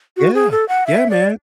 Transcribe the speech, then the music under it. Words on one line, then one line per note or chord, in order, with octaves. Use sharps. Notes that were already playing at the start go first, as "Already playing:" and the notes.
Yeah. Yeah, man.
F#4
G#4
A4
F#5
E5
D5